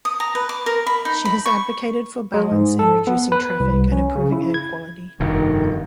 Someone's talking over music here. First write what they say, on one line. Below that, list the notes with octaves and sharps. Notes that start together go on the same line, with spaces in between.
She has advocated for balance in reducing traffic and improving air quality.
D#6
A#5
B4
D6
A#4
B5
D#4
B5
C#6
G#3
G#2
A4
B3
B4
C2
C#4
C#3
E4
G#6
F1 G2 B2 D#3